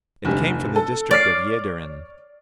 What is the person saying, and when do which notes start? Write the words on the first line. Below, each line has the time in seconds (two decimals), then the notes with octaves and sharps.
It came from the district of Jaederen.
0.25 F1 D2 G3
0.76 A4
1.11 C#5 D5 F6 C7